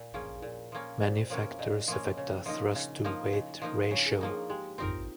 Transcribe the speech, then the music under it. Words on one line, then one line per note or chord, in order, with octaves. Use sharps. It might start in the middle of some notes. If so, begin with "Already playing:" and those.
Many factors affect a thrust-to-weight ratio.
Already playing: A#2
F3 A#3 C#4 G#4
G#4
A#2 A#4
F3 A#3 C#4
A#2 C5
F3 A#3 C#4 C#5
F5
A#2 D#5
F3 A#3 C#4
C#3 C#5
F3 A#3 D#4 D#5
C#3 D#5
F3 A#3 D#4 F5
C#3 D#5
F3 A#3 D#4 D#5
C#3 C#5
G#4
A#4
F3 A#3 D#4
G#4
G#3 G4
C4 D#4 F4 A#4